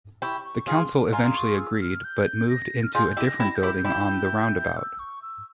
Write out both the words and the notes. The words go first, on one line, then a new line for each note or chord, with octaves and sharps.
The Council eventually agreed but moved into a different building on the roundabout.
E4 G4 C#6
C#6
F4 G#4 C6
F4 G#4 A#5
C#6
E6
F6
G6
A#6
F6
F4 G#4 G6
E4 G4
A#6
E4 G4
G6
E4 G4
E4 G4
E6
C#6
E6